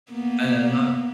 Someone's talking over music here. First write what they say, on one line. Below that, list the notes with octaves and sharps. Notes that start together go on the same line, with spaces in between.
And I'm not
A#3 B3